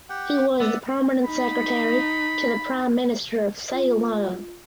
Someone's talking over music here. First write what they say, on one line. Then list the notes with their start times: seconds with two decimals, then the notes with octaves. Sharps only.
He was the Permanent Secretary to the Prime Minister of Ceylon.
0.09 G4 F#5 G5
0.60 B3 D5 E5 F#5
1.25 D#4 B5
3.73 F4